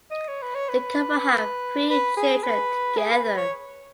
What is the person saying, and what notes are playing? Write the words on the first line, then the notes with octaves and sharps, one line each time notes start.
The couple have three children together.
D#5
C#5
B4
C#5
B4
B4
G#4
B4
G#4
B4
B4
C#5